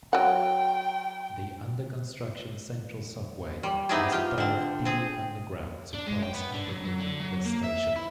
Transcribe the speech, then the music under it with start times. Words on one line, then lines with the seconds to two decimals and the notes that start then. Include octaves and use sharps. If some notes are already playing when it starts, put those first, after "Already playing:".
The under-construction Central Subway must dive deep underground to pass underneath this station.
0.13 F#3 F#5 G5
3.63 G3
3.89 B3 C4 D#4 E4 G4 G#4
4.12 F4 G4
4.38 D3 C4
4.85 C4 G#4
5.94 D4
6.07 G#3
6.22 G5
6.34 B3
6.54 D3
6.70 F#3
6.85 F#3
7.01 D3
7.21 F#3
7.45 A#3
7.64 E5
7.96 E4